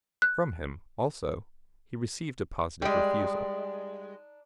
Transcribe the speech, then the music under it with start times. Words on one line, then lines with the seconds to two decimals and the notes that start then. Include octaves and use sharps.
From him, also, he received a positive refusal.
0.22 F#6
2.82 G3 G#3 D4 D#4